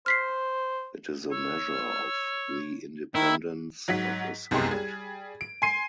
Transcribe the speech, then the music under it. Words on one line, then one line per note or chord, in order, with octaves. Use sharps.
It is a measure of the independence of a summit.
C5 F6 B6 C7
C#5 E6
D#3 E4
G#2 F#3 F#5 B6
C2 F#2 G#3 B3 G4 C6
G3 G#4 G#6
D7
G#5 C6 C7 D#7